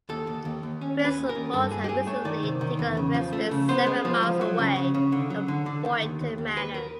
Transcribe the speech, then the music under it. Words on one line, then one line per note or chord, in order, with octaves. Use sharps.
Prince Leopold had recently taken up residence seven miles away at Boyton Manor.
D#2 A4
D#2
D#2
D#2
C#4
C#4
B4
D#2
A#4
D#2
G2 A4
G2 G#4
G4
G2 G#4
A3 C#5
D#3 D5
C3
D#3
E2
C#3
F3
A3
C#3
B3 C5
G#3
F3
F3
F#3
C#3
C#3
C#3
D3
F#3
D3
D3
D#3
D#2
D#2
D#2
D#2 B4
A#4